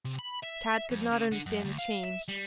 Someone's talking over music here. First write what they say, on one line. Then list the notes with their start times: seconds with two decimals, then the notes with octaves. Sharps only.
Tad could not understand the change.
0.05 C3
0.19 B5
0.44 E5
0.91 F2
1.11 C#3
1.31 D3
1.46 F#2
1.64 D2
1.79 F5
2.04 E5
2.28 G3